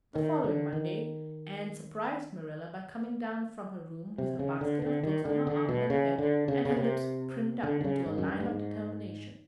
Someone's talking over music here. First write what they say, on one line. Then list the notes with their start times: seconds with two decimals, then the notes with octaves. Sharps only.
The following Monday Anne surprised Marilla by coming down from her room with her basket of books on her arm and hip and her lips primmed up into a line of determination.
0.15 D#3
0.44 D3
0.73 D#3
4.18 C3
4.39 C#3
4.61 D3
4.82 D3
5.03 D#3
5.25 D3
5.47 D3
5.69 B2
5.90 C#3
6.19 D3
6.48 C#3
6.65 C#3
6.76 C3
7.63 D3
7.81 D3
7.84 C#3
8.06 G#2
8.18 F#2
8.28 G2
8.40 G2
8.49 G#2